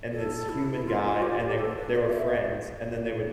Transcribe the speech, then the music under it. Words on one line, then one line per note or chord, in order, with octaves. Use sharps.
and this human guy, and they were they were friends, and then they would
A4
E4
F4
G4
A4
B4
D5
F5
E5